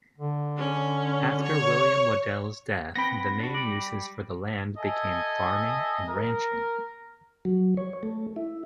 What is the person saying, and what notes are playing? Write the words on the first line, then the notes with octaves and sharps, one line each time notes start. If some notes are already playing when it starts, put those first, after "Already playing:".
After William Waddell's death, the main uses for the land became farming and ranching.
D3
C#4
C#5
B3 C4 G5 B5 A#6
D4 F#4
G3 D5
A4 D#5 E5 G#5
A#4
F#3
C#5
A3
E4